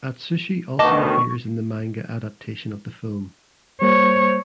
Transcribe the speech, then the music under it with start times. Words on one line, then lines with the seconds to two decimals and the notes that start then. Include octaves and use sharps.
Atsushi also appears in the manga adaptation of the film.
0.79 D2 B2 D#3 D#5 A5 C#6 D6
3.82 G3 A#3 C5 C#5